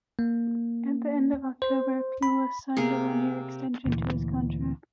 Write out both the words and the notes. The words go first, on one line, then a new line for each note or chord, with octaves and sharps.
At the end of October, Pulis signed a one-year extension to his contract.
A#3
C5
B5
C3 A#3 G#4
D2 A#2 E3